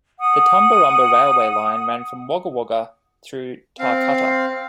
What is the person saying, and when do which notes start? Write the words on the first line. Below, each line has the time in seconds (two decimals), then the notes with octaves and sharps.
The Tumbarumba railway line ran from Wagga Wagga through Tarcutta.
0.21 F#5 D#6
3.79 C4 F5